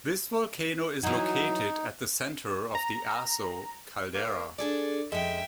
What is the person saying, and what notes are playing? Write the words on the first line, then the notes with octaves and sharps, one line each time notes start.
This volcano is located at the centre of the Aso caldera.
E3 F#3 D#4
A#5
A#3
D4 G#4 A4 D5
F2 G#3 C#4 E5 G5